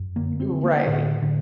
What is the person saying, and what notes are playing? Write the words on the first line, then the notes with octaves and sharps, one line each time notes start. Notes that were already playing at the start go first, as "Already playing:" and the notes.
Y right.
Already playing: F#2
D3 A#3
C4
D3
A#3
A2 D3
A2 D3